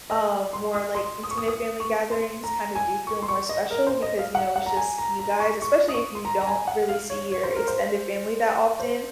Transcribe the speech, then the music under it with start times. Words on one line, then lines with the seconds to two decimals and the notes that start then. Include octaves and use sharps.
um, more, like, intimate family gatherings kind of do feel more special because, you know, it's just you guys, especially if you don't really see your extended family that often
0.10 D#5
0.53 C6
0.75 D#6
0.95 C6
1.23 D#6
1.31 C#6
1.38 D#6
1.48 D#6
1.80 C#6
2.11 C6
2.44 A#5
2.75 G#5
3.07 C#6
3.22 C6
3.28 C#6
3.49 D#5
3.70 A#4
3.87 C5
4.02 D#5
4.19 F5
4.35 F#5
4.56 F#5
4.66 A#5
4.77 G#5
4.98 A#5
5.19 A#5
5.40 C#6
5.62 C#6
5.88 D#6
5.94 C#6
6.15 C6
6.25 A#5
6.41 A#5
6.47 G#5
6.67 F#5
6.89 F5
7.10 C#5
7.32 C#5
7.43 C5
7.56 A#4
7.68 C5
8.80 C5